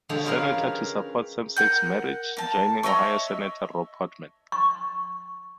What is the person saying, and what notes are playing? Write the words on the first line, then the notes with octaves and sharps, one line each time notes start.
Senator to support same-sex marriage, joining Ohio Senator Rob Portman.
D3 F3 G#3 G4 C#5
C#4 G4 G#4 A#4 B4 F5
A#4 F#5 G6
A#3 A5
C#5 D#5 E5 C#6
C#6